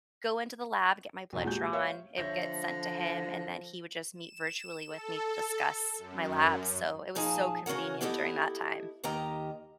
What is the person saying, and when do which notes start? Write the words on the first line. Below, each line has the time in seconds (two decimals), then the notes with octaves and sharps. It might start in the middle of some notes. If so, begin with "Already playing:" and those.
go into the lab, get my blood drawn, it would get sent to him, and then he would just meet virtually with me to discuss my labs, so it was so convenient during that time.
1.33 B1 E2
1.44 A#2 G#3 F#4 G4 G6
1.72 A#4 C#5 E5 F5
2.18 D3 F3 C#5 E5 G6 A#6
4.13 E7
4.88 A4
5.98 F#2
7.15 A#2 F3 D#4 G#4 G#5 A5
7.66 C#3 C#4 F#4 A#4 F#5
8.01 B3 E4 G4 A4 C5 D#5
9.04 D#2 D#3 G4 D#5 A#5